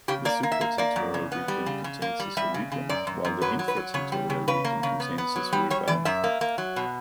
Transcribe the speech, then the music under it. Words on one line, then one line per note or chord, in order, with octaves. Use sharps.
The supratentorial region contains the cerebrum, while the infratentorial region contains the cerebellum.
C#3 G4
A#3 D5
A#3
E5
A#3
A#3 D5
F#2
C#3
B3
G3
C#3
C#3
A#3
G3
G3 E5
C#3
C#3
F#2 D5
F#2
F#2
F#3 B4
F#3
B4
F#3
C#3 C#5
G3
C#3
C#3 B4
A#3
C#3
B3
B3
F#3
G3
G3 C#5
E3 D5
F#2 E5
A#3
A#3
F#3
B2